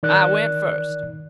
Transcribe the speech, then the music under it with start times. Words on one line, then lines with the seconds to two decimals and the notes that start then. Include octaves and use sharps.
I went first.
0.03 D#3 D5 F#6